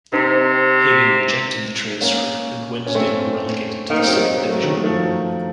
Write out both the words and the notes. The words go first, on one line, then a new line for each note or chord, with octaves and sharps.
Hagan rejected the transfer and Wednesday were relegated to the Second Division.
C3 C4 D#4
A#3 C#4
C#4
A3 C4
D#3 A#3
C4
F#3 A#3
F#3
A3
D#3 F#3
F3 A3